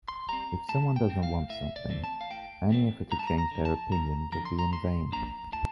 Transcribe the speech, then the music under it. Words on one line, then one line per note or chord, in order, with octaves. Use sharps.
If someone doesn’t want something, any effort to change their opinion will be in vain.
C6
G3 C4 A#5
A2 A5
G5
G3 C4
F5
A2 E5
D5
E3 A3 C4
A5
F5
A2 G5
E3 A3 C4
G2 A#5
A5
A#5
A#5
D3 F3
A5
G2 A#5
D3 F3 A#5
C6
A#5
A2 C6
F3 A#3 D4 A#5
A2 A5